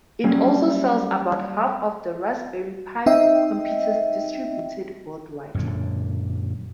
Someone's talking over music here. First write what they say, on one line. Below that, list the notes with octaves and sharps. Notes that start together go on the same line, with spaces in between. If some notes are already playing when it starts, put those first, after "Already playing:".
It also sells about half of the Raspberry Pi computers distributed worldwide.
F#3 G3 A#3 C#4
C4 D#4 D#5 E5 G5
F#2 A#2 D3